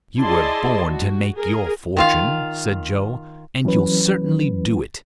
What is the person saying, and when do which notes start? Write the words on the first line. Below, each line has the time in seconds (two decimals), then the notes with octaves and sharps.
"You were born to make your fortune," said Joe, "and you'll certainly do it."
0.20 E4 G#4 D5 D#5 A5 C6
0.87 F#4
1.35 G#4 A#4
1.97 D#3 F4 F5
3.65 E3 F#3 C#4 B4